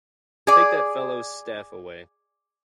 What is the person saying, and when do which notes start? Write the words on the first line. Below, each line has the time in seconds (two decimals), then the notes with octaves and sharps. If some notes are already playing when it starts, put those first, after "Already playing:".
Take that fellow’s staff away.
0.47 G#4 D5